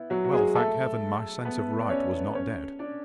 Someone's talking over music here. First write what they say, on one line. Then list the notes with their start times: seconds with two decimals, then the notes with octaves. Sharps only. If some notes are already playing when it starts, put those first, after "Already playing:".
Well, thank Heaven! my sense of right was not dead.
Already playing: B3 E4
0.10 F#3 F#4
0.24 F#4
0.33 G#3 G#4
0.55 A3 A4
1.45 B3 B4
1.81 D5
1.90 C#4 C#5
2.35 C#4 C#5
2.79 D4 D5